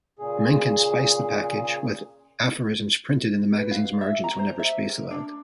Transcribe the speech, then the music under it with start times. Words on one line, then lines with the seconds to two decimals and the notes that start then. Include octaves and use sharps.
Mencken spiced the package with aphorisms printed in the magazine's margins whenever space allowed.
0.19 A#2 C#3 G#4
3.56 B4
3.71 F5
4.01 E5
4.24 A#5
4.39 C5
4.59 E5
4.90 A#4
5.11 D4